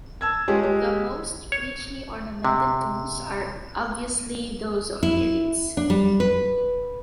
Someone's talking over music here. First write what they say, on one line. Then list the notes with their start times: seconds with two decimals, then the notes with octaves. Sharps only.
The most richly ornamented tombs are abviously those of the elites.
0.21 A5 E6 G#6
0.48 G#3 C#4 F4 G4 G#4
0.63 G#3 G4
1.52 C#5
2.45 C3
5.03 E4
5.77 D4
5.90 G3
6.20 B4